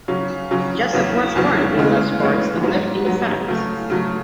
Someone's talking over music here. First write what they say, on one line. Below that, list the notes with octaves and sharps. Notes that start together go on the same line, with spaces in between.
Josep was born in Les Corts and lived in Sants.
C#3 F#3 C#4
C#3 F#3 C#4
E2 C#3 F#3 B3
E2 C#3 F#3 B3
D2 C#3 E3 G#3
D2 C#3 E3 G#3
G#2 F#3 B3
G#2 F#3 B3
C#3 F#3 A3
C#3 F#3 A3